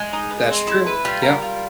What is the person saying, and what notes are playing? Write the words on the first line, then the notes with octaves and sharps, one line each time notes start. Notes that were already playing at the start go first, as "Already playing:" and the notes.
That's true, yeah.
Already playing: G#3
D#4
B3
C4
E4
B4
G3 F4
A#4
F4